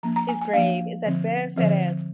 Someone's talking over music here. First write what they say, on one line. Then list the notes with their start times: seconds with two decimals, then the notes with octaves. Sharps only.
His grave is at Bere Ferrers.
0.03 F3 A#3 D4 A#5
0.16 A#5
0.28 G#5
0.41 G#5
0.53 F3 A#3 D4 F5
1.05 D3 F3 C4
1.56 D3 F3 C4